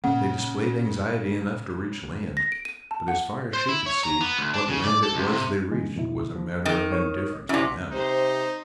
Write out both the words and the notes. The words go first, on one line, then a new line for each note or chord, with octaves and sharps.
They displayed anxiety enough to reach land; but, as far as she could see, what land it was they reached was a matter of indifference to them.
A#2 C#3 A#3 F#5
A#6
D7
D#7
A5
F#5
C5
E4
C#5
A#5
B3
D2
D4
C#3
D5
A4
C#2
C3
C#3 E3 G#3
F2 B2 E4
F3
D#3
C#5
F#2 C3 C#4 E4 D5
C3 D#4 C5